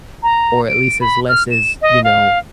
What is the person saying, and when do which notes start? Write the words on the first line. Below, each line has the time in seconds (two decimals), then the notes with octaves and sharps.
or at least as less as you know,
0.23 A#5
0.69 D7
1.01 B5
1.29 F6
1.51 E7
1.82 D#5
2.04 F5